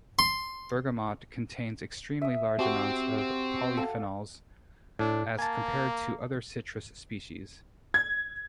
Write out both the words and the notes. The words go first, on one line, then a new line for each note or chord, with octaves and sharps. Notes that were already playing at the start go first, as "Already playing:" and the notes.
Bergamot contains extremely large amounts of polyphenols, as compared to other citrus species.
C6
E5 D#6
C4 F#4 G4 C5 A5
A4 F5 A5
A2 D4
A#3 G#5 A5
G#6